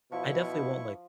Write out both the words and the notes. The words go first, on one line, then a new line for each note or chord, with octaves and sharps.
I definitely won't, like,
B2 F3 E4 C#6